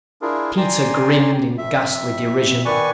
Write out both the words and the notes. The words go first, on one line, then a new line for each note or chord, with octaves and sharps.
Peter grinned in ghastly derision.
D4 E4 F4 G#4 A#4
D5 G5 G#5 A#5 C6
F2 E5
D#3 B4 D5 G#5 C#6